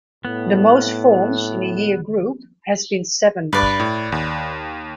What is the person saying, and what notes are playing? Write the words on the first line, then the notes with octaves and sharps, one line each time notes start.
The most forms in a year group has been seven.
A2 B3
G2 B4 D5
A2
D#2